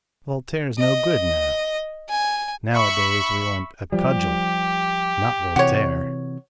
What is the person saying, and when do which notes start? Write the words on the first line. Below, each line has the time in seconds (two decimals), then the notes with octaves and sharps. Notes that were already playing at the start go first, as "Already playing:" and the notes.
Voltaire's no good now; nowadays we want a cudgel, not Voltaire.
0.79 D#5
2.09 G#5
2.73 E5 B5 C#6
3.92 F3 G3 G4
5.56 C3 E3 F#4 C#5